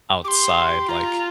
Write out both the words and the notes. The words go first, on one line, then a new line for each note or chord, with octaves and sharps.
outside, like,
G4 C6 D6
F4 A#5